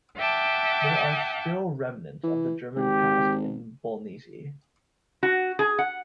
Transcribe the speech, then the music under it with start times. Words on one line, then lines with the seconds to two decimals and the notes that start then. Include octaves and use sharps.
There are still remnants of the German past in Bolnisi.
0.18 E5 F#5 G5 A5 D6
2.24 E3
2.76 G#1 G4
5.23 F#4
5.59 G#4
5.79 F#5